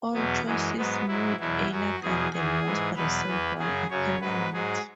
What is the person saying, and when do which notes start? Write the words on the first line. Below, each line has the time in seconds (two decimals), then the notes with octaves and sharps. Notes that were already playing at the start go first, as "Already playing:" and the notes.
All choices made earlier than the most recent one are permanent.
0.14 E2 B2 F#3 B3
0.46 F#2 E3 G#3
0.77 G#2 F#3 B3
1.08 G#2 F#3 E4
1.39 E2 B2 F#3 E4
1.71 F#2 F#3 F#4
2.02 E2 B2 F#3 G#4
2.33 E2 E3 G#4
2.64 G#2 E3
2.96 E2 B2 F#3 B4
3.27 E2 E3
3.59 F#2 C#3 F#3 G#4
3.90 F#2 C#3 F#3 C#5
4.21 G#2 F#3 B4
4.53 G#2 F#3 G#4